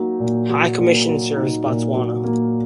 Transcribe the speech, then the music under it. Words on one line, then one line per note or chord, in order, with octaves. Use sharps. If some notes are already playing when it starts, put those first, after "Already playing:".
High Commission serves Botswana.
Already playing: F#3 A#3 D#4
A#2
F#3
A#2
F#3
D#4
A#2
F#3
A#3